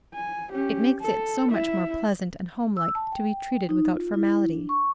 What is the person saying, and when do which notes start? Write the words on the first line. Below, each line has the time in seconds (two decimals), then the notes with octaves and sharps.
It makes it so much more pleasant and homelike to be treated without formality.
0.14 G#5
0.52 C#4 G4
1.01 A4
1.50 E4 E5
2.77 E6
2.95 A5
3.12 G5
3.69 D#4
3.94 F4
4.14 E4
4.50 D4
4.69 C#6